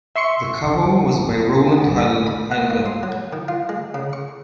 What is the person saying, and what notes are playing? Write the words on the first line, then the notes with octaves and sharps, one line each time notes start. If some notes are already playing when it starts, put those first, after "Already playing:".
The cover was by Rowland Hilder.
E5 C6 C#6 C#7
B3
G2
B5
F#5
A#3
C6
F#3
D#3
F4
G#3
C#3
C#6